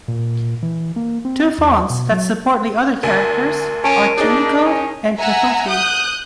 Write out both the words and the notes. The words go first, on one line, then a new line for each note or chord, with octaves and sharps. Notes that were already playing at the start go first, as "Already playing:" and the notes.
Two fonts that support the other characters are Junicode and Tehuti.
A#2
E3
A#3
C4
E2
B2
F#3
D2 A#4 G#5
C#4 A#4 A5 D7
D4 D#4 G#4
C#4
E5 F#5 G#5 A#5 E6
D#6 F#6 G6